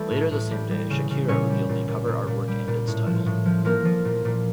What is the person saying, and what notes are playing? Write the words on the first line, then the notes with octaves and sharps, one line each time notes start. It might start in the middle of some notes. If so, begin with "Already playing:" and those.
Later the same day Shakira revealed the cover artwork and its title.
Already playing: E3 G3 A3 A4
A2
A2
G3
G3
C#3
C#3
A#2 C#4 C#5
G3
A#2
A#2
A#2
A#2
G3
A#2
A2
F3
A2
F3
F3 A#3 A#4
F3
A#2
A#2